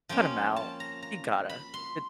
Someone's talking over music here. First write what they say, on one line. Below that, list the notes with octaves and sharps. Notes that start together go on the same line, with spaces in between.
cut 'em out. You gotta. It
F3 A#3 C#4 G5
A5
A#5
A#5
B5
C6